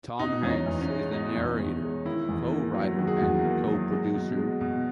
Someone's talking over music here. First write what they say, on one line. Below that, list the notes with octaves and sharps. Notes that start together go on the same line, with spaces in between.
Tom Hanks is the narrator, co-writer and co-producer.
B2 D#4
E2 C#4
D#4
E2
C#4
G#3
B2 D#4
E2
E2
G#3
D#3 E4
E2
A#3
F#3
D#3 F#4
G#4
E2 F#4
A#3
F#3
G#3
B2
G#3
B2